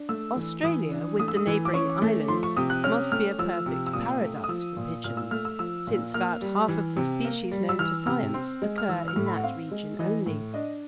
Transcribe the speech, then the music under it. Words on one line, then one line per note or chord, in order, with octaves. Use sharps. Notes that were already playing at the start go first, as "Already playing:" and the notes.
Australia, with the neighbouring islands, must be a perfect paradise for pigeons, since about half of the species known to science occur in that region only.
Already playing: D4
A3 E6
E3
E3 D#6
D4
A3 D#6
E6
D#6
E3
D6
C#4 C#6
A3
F3 C6
C#6
C3 D#6
F#6
C#4 F6
A3 F6
F3 E6
C3
E6
A#2 D#6
A3
D#6
F3 E6
A#2
A#2 F6
E6
A3 F6
E6
F3 E6
A#2
A#3 F6
G3
E3
C3
A#3
G3
E6
E3 F6
C3 F6
C4
G#3
F6
E3 E6
F6
A2
B5
F#5
C4 F5
G#3
E3 D#5
A2
D4 D#5